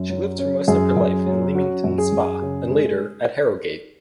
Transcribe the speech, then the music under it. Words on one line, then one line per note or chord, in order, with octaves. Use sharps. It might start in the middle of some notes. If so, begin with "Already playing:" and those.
She lived for most of her life in Leamington Spa and later at Harrogate.
Already playing: F#2
F#3
C#4
F#2 G#4
F#2
F#3
C#4 F#4
F#2
G#4
F#2
C#3
G#3